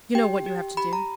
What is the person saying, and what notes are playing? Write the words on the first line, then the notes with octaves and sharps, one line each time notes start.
You know what you have to do.
G4 G5
G4
G4 B5
A#5